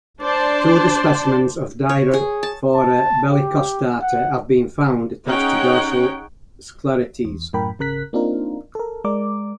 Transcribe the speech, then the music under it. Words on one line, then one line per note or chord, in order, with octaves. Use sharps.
Two other specimens of "Diraphora bellicostata" have been found attached to dorsal sclerites.
D4 C5 D5 A5
C#5
G#4
A5
A5
G4
F#5
C#4 D#4 G#4 C#5 F#5 G5
E2
F#2 A2 A#4 G5 B5
G#1 C#3 A#4 F#6 B6
A#3 C4 D4 D#4 F4 A#4
A4 A#4
G#3 A#4 D5 D6